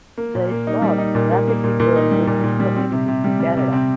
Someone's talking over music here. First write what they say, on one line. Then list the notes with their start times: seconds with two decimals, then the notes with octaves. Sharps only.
There is a small, rapidly growing Buddhist community in Canada.
0.18 A#3
0.35 A#2
0.51 A#3
0.67 D#4
0.82 G3
0.98 D#4
1.15 A#2
1.31 A#3
1.48 A#3
1.64 A#2
1.80 A#2
1.96 D#4
2.11 G3
2.27 A#2
2.44 A#2
2.60 G3
2.76 C4
2.92 C3
3.08 C3
3.24 G3
3.40 G3
3.57 C3
3.73 C4